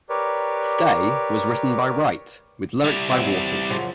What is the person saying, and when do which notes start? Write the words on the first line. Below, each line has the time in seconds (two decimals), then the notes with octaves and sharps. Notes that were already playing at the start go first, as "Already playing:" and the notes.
"Stay" was written by Wright, with lyrics by Waters.
0.09 G4 A#4 B4 C#5 D5
2.84 G3 E4
3.11 E2 C4 E5
3.70 F#2 C#3 F3